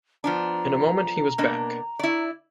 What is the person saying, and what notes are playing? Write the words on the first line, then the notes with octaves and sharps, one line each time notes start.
In a moment he was back.
F3 B3 D4 A#5
B2 A#3 D4
E4 D5